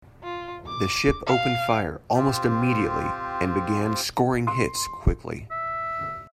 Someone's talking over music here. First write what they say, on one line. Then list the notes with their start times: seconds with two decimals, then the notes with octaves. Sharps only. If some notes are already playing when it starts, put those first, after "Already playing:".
The ship opened fire almost immediately and began scoring hits quickly.
0.24 F4
0.67 D6
1.26 F5
2.14 C4 F4 G4 C5
4.47 C6
5.51 E5